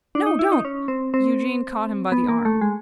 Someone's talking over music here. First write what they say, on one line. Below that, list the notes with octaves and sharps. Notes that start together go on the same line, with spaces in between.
'No, don't!' Eugene caught him by the arm.
D4
D#4
E4
D#4
C#4
C4
C4
B3
A#3
A3
G#3